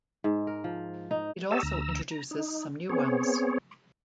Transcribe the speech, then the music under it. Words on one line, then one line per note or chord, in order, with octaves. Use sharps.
It also introduces some new ones.
G#2
A#4
F3
D#4
G4 C#5 D#5 E5 A5 E6
D2 A#5 E6
A#5
D#4
B3 C4 G#4 C#5